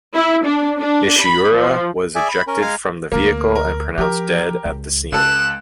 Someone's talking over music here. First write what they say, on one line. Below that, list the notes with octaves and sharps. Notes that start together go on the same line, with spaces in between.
Nishiura was ejected from the vehicle and pronounced dead at the scene.
E4
D4
D4
B5
F3
G#4 D5 E5 G#5
B5
C#4 A#4
G#3 F5 G#5 A#5
D2 A#3 C#4 A#4
A#4
F3 G4 A#4
C#2
C#2 G#3 A4 F#6 E7